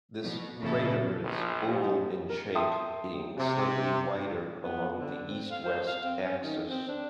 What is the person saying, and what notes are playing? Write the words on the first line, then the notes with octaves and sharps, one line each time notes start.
This crater is oval in shape, being slightly wider along the east-west axis.
B2
A#1 A#2 C#3 C#4 E4 A4
A#1 F3
G#2 G4
A#4
E5 G5 A5 C6 D#6
C3
B3
D3
C4
F5
C5
F5
C4
C#4
D#3
C4
D4